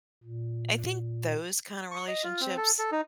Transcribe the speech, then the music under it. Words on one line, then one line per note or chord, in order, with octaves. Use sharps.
I think those kinda relationships
A#2
C#6
D#5
F4
C4
A4
A4
D#4